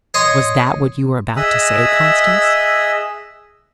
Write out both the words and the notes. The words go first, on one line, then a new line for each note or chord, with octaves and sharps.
"Was that what you were about to say, Constance?"
C#5 D#5 C6 C#6 D#6
G#4 D#5 E5 D#6 E6 F#6